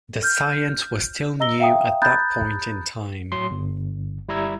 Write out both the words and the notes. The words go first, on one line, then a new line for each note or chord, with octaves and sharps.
The science was still new at that point in time.
F6 G6
D#5 A#5 E6 A#6 G7
E5 F5 G5 A#5 D#6
A#5 B5 D#6 F#6 G6 A6
A2 F#3 C6
G1
G1 G3 E4 A#5 E6 G#6